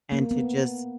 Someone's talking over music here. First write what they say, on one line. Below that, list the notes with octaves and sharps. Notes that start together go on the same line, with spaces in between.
and to just
A#3
B3